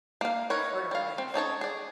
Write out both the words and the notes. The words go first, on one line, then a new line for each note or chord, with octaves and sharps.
part of life,
A#3 F5
D#4 E4 A#4 B4 C#5
G3 F5
C4
C#4 D#4 A4 C#5
G#4 D5